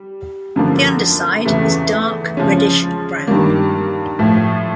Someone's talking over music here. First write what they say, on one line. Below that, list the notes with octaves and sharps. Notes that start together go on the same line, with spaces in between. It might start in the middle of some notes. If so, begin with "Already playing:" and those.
The underside is dark reddish brown.
Already playing: G3
F#2 D3 F3 A#3
E2 C#3 E3 A3
C#3 F3 G#3 C#4
G2 D#3 G3 A#3
A2 F3 A3